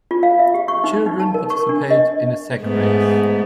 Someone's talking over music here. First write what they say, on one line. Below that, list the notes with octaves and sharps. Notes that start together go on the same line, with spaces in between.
Children participate in a sack race.
F4
F5
E5
G4
C#6
D#4
D#4
A5
A#4
C#6
D4
D#5
G#2 A3 B3